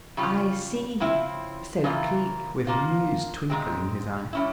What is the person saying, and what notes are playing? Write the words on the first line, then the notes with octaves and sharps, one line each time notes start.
"I see," said Cleek, with an amused twinkle in his eye.
C#3 G3 C#4 F4
C#3 F3 C4 E4
C#3 E3 A#3 F4
F3 A#3 F4
A#2 G#3 C4
G3 C#4 E4